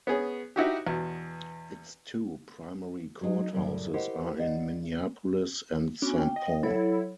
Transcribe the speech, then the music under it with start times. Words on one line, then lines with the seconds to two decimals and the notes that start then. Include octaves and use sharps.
Its two primary courthouses are in Minneapolis and Saint Paul.
0.07 B3 C#4 G#4
0.56 D#4 E4 F#4 G4
0.87 E2 B2
3.21 F#3 G#3 C4 D#4
3.52 F#2 A2 C#3 G3 D5
3.93 E4 G4 A#4 C5 D#5 F#5
4.39 D5 D#5 F5 F#5
6.02 B3 C#4 D4 F#4
6.19 G5
6.36 D#5
6.63 F#3 E4 A4 C#5